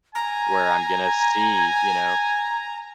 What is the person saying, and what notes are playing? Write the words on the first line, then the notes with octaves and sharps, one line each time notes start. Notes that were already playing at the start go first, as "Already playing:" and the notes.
where I'm gonna see, you know,
G#5 A#5